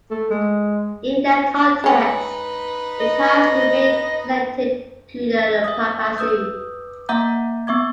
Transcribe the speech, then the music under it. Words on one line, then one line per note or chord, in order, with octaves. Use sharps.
In that context, it has remained connected to the Papacy.
A3
G#3
G#3 C#4 D#4 B4
D#5
E5 D#6
B4 D#6 E6 G6
A#3 E5 F#5 A#5 D6 G6
B3 E5 D6 G#6